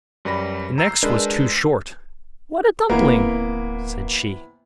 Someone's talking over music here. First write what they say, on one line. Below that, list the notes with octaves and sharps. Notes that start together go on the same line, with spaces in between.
The next was too short: 'What a dumpling!' said she.
F#2 G3 B4 B5 A#6
A#5 E6 G6 C7
G#3 D4 A#4 B4
D1 C3 E3 A#3 B3